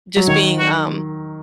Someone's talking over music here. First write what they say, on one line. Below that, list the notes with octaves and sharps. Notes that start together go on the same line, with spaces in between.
just being, um,
F#3
D#3 C#5
F#4